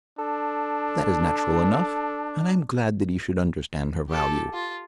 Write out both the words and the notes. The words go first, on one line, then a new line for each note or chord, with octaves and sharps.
That is natural enough, and I am glad that he should understand her value.
D4 A4
G4 A4
F4